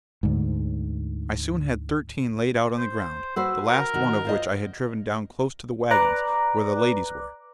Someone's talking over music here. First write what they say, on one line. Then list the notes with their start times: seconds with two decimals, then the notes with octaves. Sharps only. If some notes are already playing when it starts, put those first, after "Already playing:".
I soon had thirteen laid out on the ground, the last one of which I had driven down close to the wagons, where the ladies were.
0.23 D2 G#2
2.78 C5
3.36 F#4 B4 C5 E6
3.68 A#4
3.94 D#3 F#4
4.25 F4 C5 D#5
5.91 B4 D5 A#5 D6 F#6